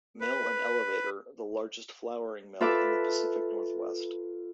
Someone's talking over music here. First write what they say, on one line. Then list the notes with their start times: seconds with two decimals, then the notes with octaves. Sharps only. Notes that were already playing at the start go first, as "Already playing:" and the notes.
Mill and Elevator, the largest flouring mill in the Pacific Northwest.
0.21 B4
2.61 F4 A4 B4 E5 D6